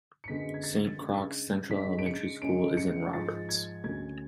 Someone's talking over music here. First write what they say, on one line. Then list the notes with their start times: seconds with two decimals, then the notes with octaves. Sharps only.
Saint Croix Central Elementary School is in Roberts.
0.24 C#7
0.28 F#2 D3 G#3 B3 D4 B6
0.54 G#6
0.64 A6
0.99 C#3 G#3 D4
1.71 C#3 G#3 D4 B6
1.99 D7
2.06 C#7
2.42 C#3 G#3 C#4 D7
2.77 C#7
3.13 G#2 F3 G#3 A6
3.49 G#6
3.84 D2 D3 F#3 C#4 G#6